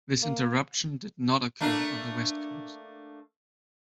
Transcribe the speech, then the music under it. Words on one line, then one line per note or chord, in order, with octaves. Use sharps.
This interruption did not occur on the West Coast.
A#3
A3 A#3 D4